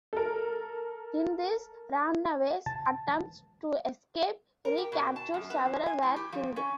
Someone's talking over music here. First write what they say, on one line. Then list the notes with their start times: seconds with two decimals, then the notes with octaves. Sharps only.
In these runaways' attempts to escape recapture, several were killed.
0.13 A4 A#4
2.66 A5
4.65 A#4
4.78 G4
4.92 B2
5.16 A5
5.34 F#2
5.50 B3
5.66 F3
5.86 G#5
6.03 A2
6.16 G4
6.32 F3
6.56 C#4